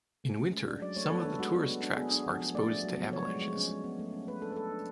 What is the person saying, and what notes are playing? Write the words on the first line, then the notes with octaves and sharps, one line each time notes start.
In winter some of the tourist tracks are exposed to avalanches.
A3
C#4
G#3
D4
F#3 D5
A3 C#5
B4
B3 A4
D4 A4
G#3 F#4
B3
B3
D4
B3 G#4
D4
F3
B3
A3 D5
D4
F#3
B3
F3 C#5
G#3
G#3
C#4
G#3
B3
A3
C#4
A3 B4
D4 A4
B4
A3 A4
D4